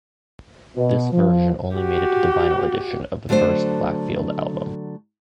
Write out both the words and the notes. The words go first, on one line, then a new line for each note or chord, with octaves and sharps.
This version only made it to the vinyl edition of the first Blackfield album.
B2
F3
F#4 G4
D3 F#3 A3 D4 C5